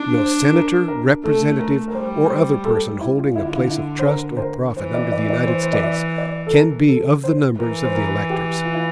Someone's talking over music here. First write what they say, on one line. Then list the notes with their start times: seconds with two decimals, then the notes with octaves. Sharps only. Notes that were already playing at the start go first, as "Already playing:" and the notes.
No senator, representative, or other person holding a place of trust or profit under the United States, can be of the numbers of the electors.
Already playing: D4
0.18 C5
0.53 A#4
0.88 A#4
1.24 A3 A4
1.59 A#4
1.88 A#4
1.94 G3 C5
2.30 C5
2.65 A4
3.01 E4
3.18 F4
3.36 D3 E4
3.46 F4
3.56 E4
3.71 E4
3.99 C5
4.06 A#4
4.37 C5
4.41 A#4
4.76 E3 C5
4.94 D5
5.12 D5
5.30 D5
5.47 C5
5.63 C5
5.73 D5
5.83 E5
6.18 D5
6.47 A4
6.53 A#4
6.88 A4
7.24 C5
7.59 E3 A#4
7.84 C5
7.94 A#4
8.30 G4
8.65 F4
8.74 E4